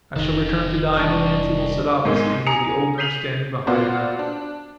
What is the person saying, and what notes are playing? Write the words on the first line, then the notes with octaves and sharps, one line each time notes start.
I shall return to dine and Nancy will sit opposite me with the old nurse standing behind her.
F1 B1 D#3 D#4 A4 D#5
C3 G3 G#3 D4 C#6
G#2 B2 D#3 G#3 A#3 C4
G#5 A#5 D#6 C#7 F7
G6 B6 C7 D#7 F7 F#7
A#3 B3 F4 F#4 C5 D5
D4